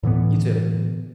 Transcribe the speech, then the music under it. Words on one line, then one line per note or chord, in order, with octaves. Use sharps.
You too.
A2 D3 E3 B3